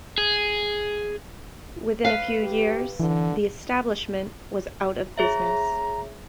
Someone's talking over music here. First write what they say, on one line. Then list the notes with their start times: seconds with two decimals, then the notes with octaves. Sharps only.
Within a few years, the establishment was out of business.
0.18 G#4
2.05 B4 F5
2.43 G4
3.00 D3 E3
5.18 G#4 C#5 E5 A#5